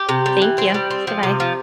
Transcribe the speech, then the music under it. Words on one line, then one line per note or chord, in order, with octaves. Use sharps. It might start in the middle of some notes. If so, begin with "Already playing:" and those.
Thank you. Goodbye.
Already playing: G4
C3
G3
E3
C4
G3
C4
F3
C3
F3